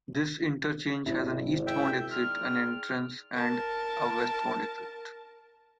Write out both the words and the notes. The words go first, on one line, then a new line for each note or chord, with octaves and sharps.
This interchange has an eastbound exit and entrance and a westbound exit.
G#1 C3 E4
E5 G5
D#4 G#4 D5 G5 C6 F6
A#4 A5